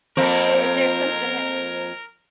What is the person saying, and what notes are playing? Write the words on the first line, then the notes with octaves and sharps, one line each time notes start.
So, is there something that
F2 A#3 C4 A#4